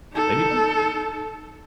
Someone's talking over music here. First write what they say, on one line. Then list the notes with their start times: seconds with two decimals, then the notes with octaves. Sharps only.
maybe not.
0.12 D#4 A4